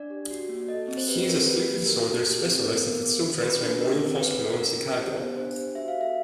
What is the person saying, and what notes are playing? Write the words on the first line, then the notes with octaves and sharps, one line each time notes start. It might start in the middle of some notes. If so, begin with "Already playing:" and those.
He is a sleep disorders specialist at the Children's Memorial Hospital in Chicago.
Already playing: D4 D5
G4
F#4
A#3
A4 D#5
C4
C5
G4 B4
C4 A#4
G4 B4
A#3
F#4 A#4
A4
G4
C4
G#4 A#4
B3
G#4
C#4
G#4 B4
D4
G4 A#4
C4
G#4 B4
C#4
G#4 A#4
C#4
G4 C5
B3
D4 C5
G4
F#4 E5
F5
A4
E5